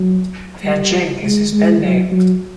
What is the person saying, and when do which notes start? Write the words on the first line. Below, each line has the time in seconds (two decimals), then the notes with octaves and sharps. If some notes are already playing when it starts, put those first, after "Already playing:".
Fancheng is his Pen name.
Already playing: F#3
0.63 G3
1.23 G#3
1.52 G#3
1.82 F#3
2.12 F#3